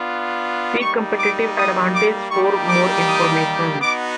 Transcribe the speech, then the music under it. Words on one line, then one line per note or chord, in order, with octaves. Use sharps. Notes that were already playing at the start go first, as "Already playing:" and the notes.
See competitive advantage for more information.
Already playing: B3 D4 F4
G3 A#3 D#4 C#6
D6
D#6
D6
G3 A#3 D#4 G4 C#6
D6
D#6
B3 D#4 F#4 D6